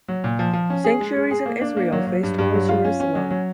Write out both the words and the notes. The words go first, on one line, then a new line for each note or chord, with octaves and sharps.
Sanctuaries in Israel face towards Jerusalem.
F#3
A#2
F3
F3
C#4
G#4
G#3
G#3
G#4
A#3
D4
A#3
F#3
F#3
G2
G2
F#3
F4
C#4
C#4
F#3
F#3